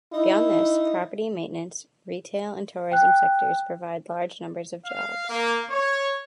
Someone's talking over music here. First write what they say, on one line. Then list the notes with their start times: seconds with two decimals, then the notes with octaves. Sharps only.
Beyond this, property maintenance, retail and tourism sectors provide large numbers of jobs.
0.13 D#4 E4
2.92 G5 F#6
4.86 F5
5.29 A#3
5.71 C#5